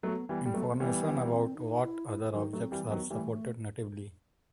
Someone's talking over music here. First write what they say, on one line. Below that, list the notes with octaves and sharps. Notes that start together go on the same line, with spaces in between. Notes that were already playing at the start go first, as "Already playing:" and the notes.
Information about what other objects are supported natively.
F#3 A3 B3
E3 G3 B3
G3
F#3 A3 B3
E3 G3 B3
B3
C4
D#4
E4
E4
D#3 F#3 D#4
F#3 A3
C4
E3 G3
B3
D#3 F#3
E3 G3 A3